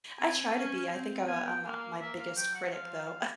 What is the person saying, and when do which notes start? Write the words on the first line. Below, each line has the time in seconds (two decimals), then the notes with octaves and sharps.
I try to be, I think I I'm no my biggest critic, though.
0.19 C4 G#5
0.56 C#4
0.93 C4
1.28 B3 G#5
1.46 G5
1.65 A#3 F5
2.01 A#3 E5
2.19 F5
2.37 F#3 G5
2.55 F#5
2.73 F3 F5